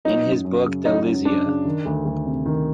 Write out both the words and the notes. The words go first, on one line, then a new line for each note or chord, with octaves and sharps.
In his book Delizia!
F#3 D#4
F#2
F#2
C#3
F#3 D#4
F#2
F#2 D4
C#3
D#3
D2
D2
C3
D#3